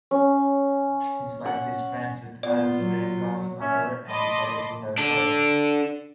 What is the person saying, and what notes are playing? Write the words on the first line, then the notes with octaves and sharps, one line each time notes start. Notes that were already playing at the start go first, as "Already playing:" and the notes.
His wife is friends with Azarenka's mother and decided to help her.
C#4
F#5
B3 F4 D5
F4
F#3
C#4 E5
D#5 A5 B5 C6 D6
D4 A4